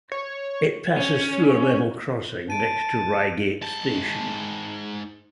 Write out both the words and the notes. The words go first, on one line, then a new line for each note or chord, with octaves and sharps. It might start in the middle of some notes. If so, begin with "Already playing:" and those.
It passes through a level crossing next to Reigate station.
C#5
C#4
A5 D7 D#7
G#2 A5